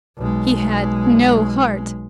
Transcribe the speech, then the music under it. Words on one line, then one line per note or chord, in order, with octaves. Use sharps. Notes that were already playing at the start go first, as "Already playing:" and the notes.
He had no heart.
B1 G#3